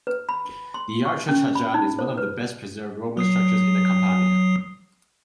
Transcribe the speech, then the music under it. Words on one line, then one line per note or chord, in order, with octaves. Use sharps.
The Arch of Trajan is one of the best-preserved Roman structures in the Campania.
B4
B5
C6
C#6
C#4
B5
D#4
C5
B4
F#3 D#6 C7